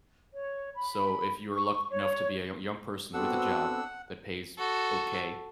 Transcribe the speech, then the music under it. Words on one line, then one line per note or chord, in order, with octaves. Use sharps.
So, if you're lucky enough to be a yo young person with a job that pays okay,
C#5
B5
C#6
C#5
B3 C4 D4 F#4 A4 F#5 E6
F#4 A4